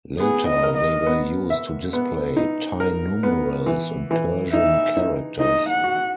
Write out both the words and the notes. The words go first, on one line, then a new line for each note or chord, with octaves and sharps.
Later they were used to display Thai numerals and Persian characters.
B3 G#4
D#5
A#4
D#5
B3
E5
B3
D#4
A#4
B3
E3
E3
D#4 E5
D#4
D#4 D#5
F#5
F#4